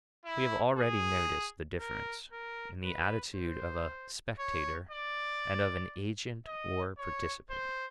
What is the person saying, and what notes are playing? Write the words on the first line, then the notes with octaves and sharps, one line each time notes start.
We have already noticed the difference in the attitude of a spectator and of an agent or participant.
E4
G#4
A#4
A#4
B4
C5
C#5
D5
D#5
C#5
C5